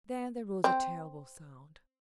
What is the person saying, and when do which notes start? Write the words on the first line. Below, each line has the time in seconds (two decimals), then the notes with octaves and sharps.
Then there rose a terrible sound.
0.64 C4